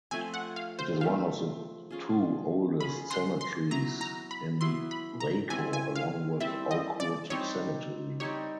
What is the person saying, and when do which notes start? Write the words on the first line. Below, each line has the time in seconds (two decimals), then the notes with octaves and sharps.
It is one of the two oldest cemeteries in Waco along with Oakwood Cemetery.
0.11 F3 A3 C4 G#5
0.34 F#5
0.56 F5
0.79 C5
1.01 F3 A3 C4 F5
1.91 C#4 F4 G#4
2.81 C#4 F4 G#4 B5
3.11 C6
3.41 C6
3.71 F#3 B3 E4 A#5
4.01 A#5
4.31 B5
4.61 F#3 B3 E4 C6
4.91 B5
5.20 A#5
5.50 G3 C4 E4 G#5
5.73 G#5
5.95 F5
6.40 G3 C4 E4 E5
6.71 D#5
7.00 D5
7.30 G3 C4 D#4 G4 C#5
8.20 G3 C4 D#4 G4 C#5